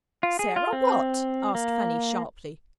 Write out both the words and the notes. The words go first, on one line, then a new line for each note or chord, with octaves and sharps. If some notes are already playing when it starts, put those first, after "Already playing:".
'Sarah what?' asked Fanny, sharply.
F4
G#4
F4
C4
A#3